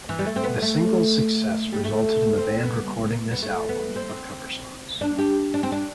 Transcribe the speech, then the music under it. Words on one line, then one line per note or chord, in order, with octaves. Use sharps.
The single's success resulted in the band recording this album of cover songs.
E3
G3
A3
C4
B3
A3
G3
A3
C4
B3
B3
A3
B3
C4
D4
G4
D4
C4
D4